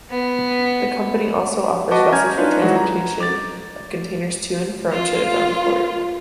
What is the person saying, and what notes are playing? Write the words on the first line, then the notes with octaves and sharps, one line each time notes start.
The company also offers vessels for transportation of containers to and from Chittagong Port.
B3
F#4 B4 D#5 A5 C#6 D6
C#4 G#5 A#5 F6 G6 G#6
D4 D#4 F4 B4 C#5
E3 F#3 G#3 F#4
A#5
D6 A6
F4